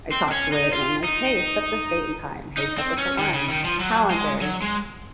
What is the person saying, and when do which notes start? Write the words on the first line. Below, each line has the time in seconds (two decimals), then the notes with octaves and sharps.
I talked to it, and I'm like, "Hey, set this date and time. Hey, set this alarm. Calendar,"
0.12 C4
0.32 C#4
0.52 D#4
0.73 F4
1.04 D#4
2.57 D#4
2.78 C4
2.98 C#4
3.19 D#3
3.34 C#3
3.49 D#3
3.65 F3
3.80 F#3
4.10 G#3
4.41 F#3
4.62 G#3